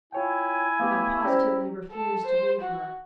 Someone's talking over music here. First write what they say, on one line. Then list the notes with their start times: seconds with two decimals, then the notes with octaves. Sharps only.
I positively refused to leave her.
0.12 E4 F4 C#5 G5 G#5
0.79 A3 B3 G4 F5 D6 D#6
1.24 C#4 G4 C5 D5 A#5
1.91 A4
2.26 C5
2.61 F#4